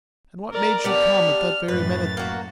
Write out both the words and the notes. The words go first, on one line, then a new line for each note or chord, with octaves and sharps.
And what made you come at that very minute?
A#4 D5 A#5
G3 B3 D4 F6
F#2 A2 B4 A6
A#3 F#4